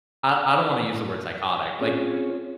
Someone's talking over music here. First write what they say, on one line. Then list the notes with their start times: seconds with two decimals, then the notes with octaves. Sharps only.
I I don't wanna use the word psychotic, like
1.81 C4 C#4 F4 G#4 C#5